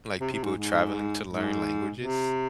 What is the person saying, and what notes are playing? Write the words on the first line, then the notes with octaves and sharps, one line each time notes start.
Like, people traveling to learn languages.
C3
C3
G#2
G#2
G#2
C3